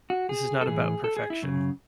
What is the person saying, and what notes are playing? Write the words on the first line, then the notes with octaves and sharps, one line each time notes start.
This is not about perfection.
F#4
G#4
A4
A2 E3 G#4
A4
G#4
E4
F#2 C#3